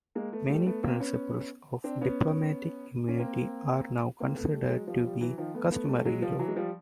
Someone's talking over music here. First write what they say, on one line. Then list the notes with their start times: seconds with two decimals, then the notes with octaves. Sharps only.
Many principles of diplomatic immunity are now considered to be customary law.
0.15 G#3 A#3
0.32 A3 B3
0.49 G3 A3
0.66 A3 B3
0.83 A#3 C4
1.00 B3 C#4
1.84 C4 D4
2.01 B3 C#4
3.08 C#4
3.19 A#3 C4
4.20 A#3 C4
4.37 A3 B3
4.53 G3 A3
4.70 F#3 G#3
4.87 F3 G3
5.04 F3 G3
5.21 E3 F#3
5.38 D#3 F3
5.55 A3 B3
5.72 A3 B3
5.88 G3 A3
6.05 F#3 G#3
6.22 F3 G3
6.39 E3 F#3
6.48 G#3
6.56 F3 G3